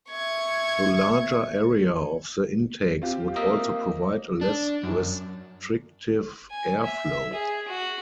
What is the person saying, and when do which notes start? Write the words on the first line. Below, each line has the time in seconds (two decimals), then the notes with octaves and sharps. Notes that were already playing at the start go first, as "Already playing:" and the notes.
The larger area of the intakes would also provide a less restrictive airflow.
0.10 E5 C#6 G#6
3.02 C4 F4 G4
3.36 A#3 D#5 E5
4.41 D4
4.83 F#2
6.51 G#5
6.83 E5
7.33 G#4
7.68 F#4